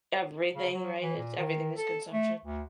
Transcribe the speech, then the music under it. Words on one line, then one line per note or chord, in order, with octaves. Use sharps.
everything, right? It's everything is consumption.
C#3
F#3
E3
A#2
D#3
A4
A3
D2